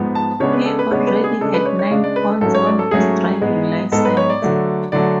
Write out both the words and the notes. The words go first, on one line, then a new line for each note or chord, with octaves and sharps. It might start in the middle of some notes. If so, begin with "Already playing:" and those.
He already had nine points on his driving licence.
Already playing: G#2 F3 B3
A5
C#3 G#3 B3 D4 C#5
B4
A4
B4
C#3 G#3 B3 D4 C#5
B4
G#4
C#3 G#3 D4 A4
B4
C#5
C#5
C#3 G#3 D4 F5
D5
B4
A4
G#2 F#3 A3 C#4 A4
C#5
D5
A4
G#2 F#3 A3 C#4 G#4
G#2 G#3 B3
G#2 G#3 B3 A4
B4
C#5
D5
D3 F#3 A3
D3 F#3 A3 D5